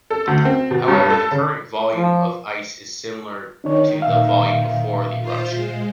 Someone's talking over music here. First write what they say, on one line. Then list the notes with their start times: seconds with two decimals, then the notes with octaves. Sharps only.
However, the current volume of ice is similar to the volume before the eruption.
0.10 A4
0.27 D2
0.45 C4
0.71 B2
0.88 G2
1.10 A4
1.31 C#3
1.95 F3
3.64 D#3 D4 D#4 C#5
4.02 A#2 E5 F5
5.20 F4 C5
5.55 G#3